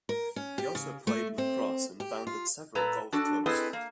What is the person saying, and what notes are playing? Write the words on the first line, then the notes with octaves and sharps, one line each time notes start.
He also played lacrosse and founded several golf clubs.
A#4
C#4
G4
C#3
A3
C4
G4
F4
A#2 A4 B4 A#5
D4 F#4 A4
C4 E4 G#4 A4 B4 D#5
A#3